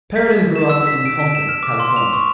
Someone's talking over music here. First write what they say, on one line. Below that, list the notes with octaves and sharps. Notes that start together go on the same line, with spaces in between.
Perrodin grew up in Compton, California.
B6
E7
E6
B6
D7
B6
E7
F6
D6
C6
F7
C#6